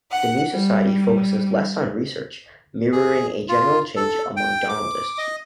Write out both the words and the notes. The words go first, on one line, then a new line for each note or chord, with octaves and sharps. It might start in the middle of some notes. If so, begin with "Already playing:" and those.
The new society focuses less on research, mirroring a general change among donaldists.
F#5
G3
G#4
F4
A4
G5
D6
D#5